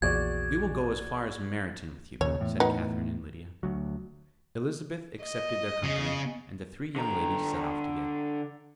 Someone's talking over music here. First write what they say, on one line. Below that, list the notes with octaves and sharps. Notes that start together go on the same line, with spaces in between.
"We will go as far as Meryton with you," said Catherine and Lydia. Elizabeth accepted their company, and the three young ladies set off together.
A#1 E2 F#4 G#4 D5 G#6
D#2 A#2 C#3 C#5
E2 A2
F#3 D#4 B4
D2 F#3
D#5
C#3
D3 A#5